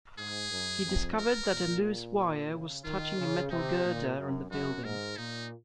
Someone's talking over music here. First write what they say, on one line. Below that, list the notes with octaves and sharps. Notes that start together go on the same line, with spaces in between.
He discovered that a loose wire was touching a metal girder on the building.
G#2 G#4
F#2
F2
A#4
A#2
C#3
D#3 F4
C#3
C3 D#4
A#2
F#2
F#2 F#4
G#2 A#4
A#2 D#4